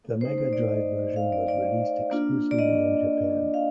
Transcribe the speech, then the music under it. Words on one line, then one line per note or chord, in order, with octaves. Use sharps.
The Mega Drive version was released exclusively in Japan.
A3 D#4 C5
C5
D5
D#5
F5
D5
D5
A#3 D4 F4
D5
D#5
F5